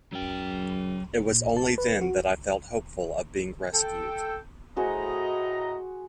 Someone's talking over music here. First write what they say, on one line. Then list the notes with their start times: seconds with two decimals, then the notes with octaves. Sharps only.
It was only then that I felt hopeful of being rescued.
0.12 F#2 F#3 G5
1.32 A#2
1.57 A5
1.78 B4
2.01 F#4
3.73 A4 G5
4.77 A2 F#4 G#4 C5 D#5 A#5